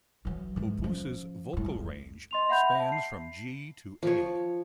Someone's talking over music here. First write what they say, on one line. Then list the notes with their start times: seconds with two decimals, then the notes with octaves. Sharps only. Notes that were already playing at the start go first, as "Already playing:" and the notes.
Hoppus's vocal range spans from G to A.
0.25 E3 F#3
0.56 G#2 E3
0.84 F3 C#4
1.53 F#2 A2
1.66 F2
2.31 D#5 C6 F7
2.49 E5 F#5 B5 G6 F7
2.75 E5 A5
2.92 C7
4.03 F3 C#5